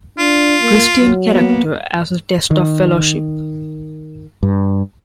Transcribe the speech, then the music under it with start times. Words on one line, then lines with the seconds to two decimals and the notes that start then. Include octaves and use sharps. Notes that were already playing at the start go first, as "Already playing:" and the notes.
Christian character as a test of fellowship.
0.19 D4 F4
0.62 A#3
0.96 F#3
1.32 A#3 B3
2.51 D#3
4.43 G2